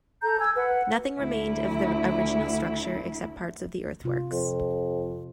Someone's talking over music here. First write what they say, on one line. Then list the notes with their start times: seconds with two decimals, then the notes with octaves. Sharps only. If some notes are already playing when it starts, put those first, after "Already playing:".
Nothing remained of the original structure except parts of the earthworks.
0.22 A4 A#5 G6
0.39 G#5 E6 G#6
0.55 B4 F#5
1.19 D2 E4
4.04 C3 F4
4.32 F2